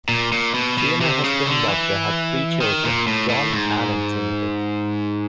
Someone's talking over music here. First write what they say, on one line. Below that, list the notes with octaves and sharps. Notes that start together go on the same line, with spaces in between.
She and her husband, Roger, had three children: John, Anne and Timothy.
A#2
A#2
B2
B2
C3
C#3
D3
E3
D#3
A#2
A2
A2
G#2